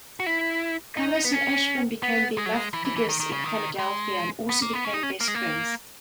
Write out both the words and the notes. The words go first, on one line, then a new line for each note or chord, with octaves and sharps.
Kalas and Ashburn became beloved figures in Philadelphia, and also became best friends.
F#4
E4
D#4
B3
C#4
B3
G#3
F#3
G#3
E3
E3
E3
D#3
D#3
C#3
D#3
G#3
B3
A#3
B3
C#4
D#4
C#4
A#3
G#3
A#3